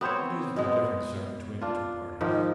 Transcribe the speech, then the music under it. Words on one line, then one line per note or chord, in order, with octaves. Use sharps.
"What is the difference, sir, between the two parties?"
B3 C4 C5 C#5
B2 G#3 B3
D4 F4
G#2 D#3 F3